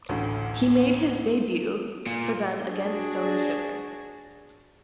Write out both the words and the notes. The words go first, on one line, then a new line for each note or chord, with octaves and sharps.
He made his debut for them against Sony Sugar.
A1 D2 A2
A#2
D4 F#4 G#4